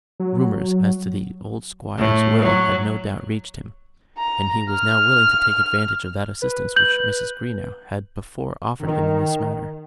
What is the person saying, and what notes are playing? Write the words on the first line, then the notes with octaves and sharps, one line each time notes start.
Rumours as to the old Squire's will had no doubt reached him, and he was now willing to take advantage of that assistance which Mrs. Greenow had before offered him in this matter.
F#3
A2
F#3
A#5
F6
B4
G6 F#7
D#3